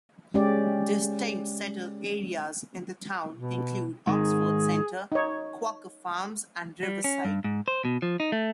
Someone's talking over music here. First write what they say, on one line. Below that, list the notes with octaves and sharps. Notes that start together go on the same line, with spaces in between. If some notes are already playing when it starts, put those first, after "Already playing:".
Distinct settled areas in the town include Oxford Center, Quaker Farms, and Riverside.
G#3 C#4 G4 D5
B2
G#2 D#3 G#4
D#4 C#5
G3
C#4
G2
G#2
C5
B2
F3
D#4
A3